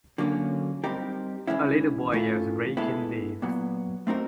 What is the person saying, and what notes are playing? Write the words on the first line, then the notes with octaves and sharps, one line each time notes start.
A little boy is raking leaves.
D3 F#3 A#3 C#4
G3 C4 D#4 G4 A#4
E3 G#3 C#4 E4
E3 A3 C#4 F4 A#4
G#3 B3 E4 A4
A#2 F#3 B3
A3 C4 D#4 F#4 A#4